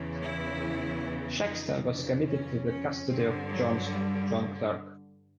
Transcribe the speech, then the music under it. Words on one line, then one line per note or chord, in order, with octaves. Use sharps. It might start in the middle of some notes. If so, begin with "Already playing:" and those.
Shaxton was committed to the custody of John Clerk.
Already playing: E2 C#3 E3
E4
F2 C#3 E3 D#4
D4
C#4
C#4
G2 D3 C4
F#3
G3